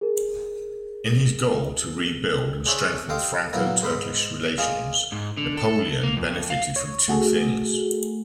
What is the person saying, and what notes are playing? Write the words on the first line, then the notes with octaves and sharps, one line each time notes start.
In his goal to rebuild and strengthen Franco-Turkish relations, Napoleon benefited from two things.
G#4 A#4
D4 G#4 C5 C#5 E5 A5
G4 A4 D#5 F5 G5 C6
A#2 F#3 A#3 B3 D4 E4
G#2 C5 D#5 B5 C6
A#3 F4 G#4 D5 D#5 G#5
G#2
D3
A4
A#3
F2
F5
C#5
A3 F#4 G#4 A4